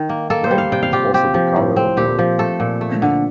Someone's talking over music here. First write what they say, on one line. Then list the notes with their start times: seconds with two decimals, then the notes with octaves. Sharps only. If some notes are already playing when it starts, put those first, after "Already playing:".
Red is also the color of love.
Already playing: D#3
0.09 A#3
0.30 A#3 A4
0.44 C5
0.51 G3
0.58 F5
0.72 C3 G5
0.83 F5
0.93 F4 G4
1.14 C4 G4
1.34 F3
1.56 A2
1.76 C4
1.97 A#2 G4
2.19 F3
2.39 A3 A4
2.60 A#2
2.81 A3
3.02 D3